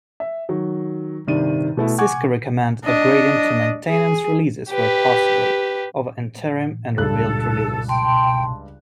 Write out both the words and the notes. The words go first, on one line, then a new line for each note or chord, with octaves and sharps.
Cisco recommend upgrading to Maintenance releases where possible, over Interim and Rebuild releases.
E5
D#3 F#3
G2 C3 D#3 D4 D#7
B2 A3 E4
F#5 G#5 C#6 D6 G#6
D4 D#5
G#4
G4 B4
C#2 G2 A4 F#6
G5 A5 C6